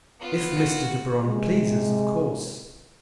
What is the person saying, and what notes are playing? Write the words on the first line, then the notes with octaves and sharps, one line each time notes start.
If Mr. De Baron pleases, of course.
B3 F4
F#4
C3 G#3